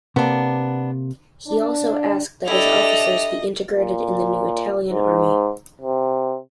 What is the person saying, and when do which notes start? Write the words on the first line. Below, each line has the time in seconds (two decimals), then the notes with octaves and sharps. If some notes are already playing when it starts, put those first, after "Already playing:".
He also asked that his officers be integrated in the new Italian Army.
0.16 C3 A#3 B3 D4
1.47 D4
2.48 D4 E4 G4 A4 D5 D#5 F7
3.72 A#2
4.90 G#2
5.81 C3